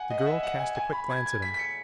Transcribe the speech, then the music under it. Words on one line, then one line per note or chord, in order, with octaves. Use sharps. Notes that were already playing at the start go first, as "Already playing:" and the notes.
The girl cast a quick glance at him.
Already playing: F#5 G#5
D#5
F#5
E5
F#5
G#5
G#5
B5
G#6
G#6
B6
B6
C#7